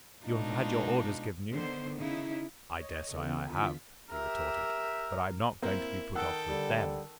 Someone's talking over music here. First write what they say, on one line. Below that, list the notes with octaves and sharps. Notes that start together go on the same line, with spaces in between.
You have had your orders given you.' 'I daresay I have,' he retorted, 'but I am not going to be put off with THEM.
B2 G#3 D4 D#4 F4
D3 D#3 B3 C5
C#3 D#4 E4
C#5 D#5
C#3 E3 B3 A4
E2 D3 F4 B6
G4 A#4 E5
A#3 C4 E4 A#4
D#3 A4 F#5 G5 E6
D3 G3